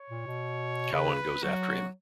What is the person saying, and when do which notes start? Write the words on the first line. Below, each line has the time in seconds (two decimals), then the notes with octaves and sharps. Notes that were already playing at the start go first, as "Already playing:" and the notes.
Cowan goes after him.
Already playing: C#5
0.10 A#2
0.26 B2
0.93 C#3 B4
1.43 F#3 F#4